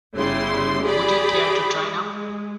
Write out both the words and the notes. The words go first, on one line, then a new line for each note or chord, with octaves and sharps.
Would you care to try now?
G1 C#3 G3 E4 C6
G4 G#4 D5 B5
G#3